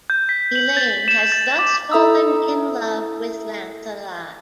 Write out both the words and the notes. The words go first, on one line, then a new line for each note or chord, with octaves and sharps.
Elaine has thus fallen in love with Lancelot.
G6
B6
F#7
A6
E7
A6
D6
E4 A4 E5 A#5 D#6 E6